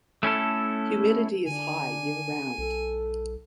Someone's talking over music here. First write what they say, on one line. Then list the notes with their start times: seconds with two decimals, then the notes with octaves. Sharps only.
Humidity is high year round.
0.23 A3 C#4 E4 A4
1.47 D3 D4 G#5
2.58 B1 A4